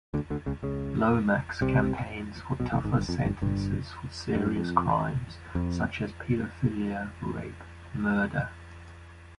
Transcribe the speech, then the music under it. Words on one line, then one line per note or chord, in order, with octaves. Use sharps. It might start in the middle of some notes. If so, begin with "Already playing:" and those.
Lomax campaigns for tougher sentences for serious crimes such as paedophilia, rape and murder.
D2 D3
D2 D3
C#2 C#3
C#2 C#3
C2 C3
B1 B2
A1 A2
G#1 G#2
G1 G2
F2
G1 G2
G1 G2
G2
F#2
F2
F2